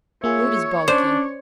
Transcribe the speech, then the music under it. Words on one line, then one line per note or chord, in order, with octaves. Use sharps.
Food is bulky.
A#3 F4 G#4 C#5 E5 C#6
C#4 D4 C5 D5